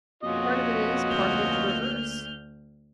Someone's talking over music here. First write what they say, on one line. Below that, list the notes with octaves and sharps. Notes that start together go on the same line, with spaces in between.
"Part of it is, part of it the reverse."
F2 B2 A#3 C#4 F4 F#4 D#5
D2 F6 G6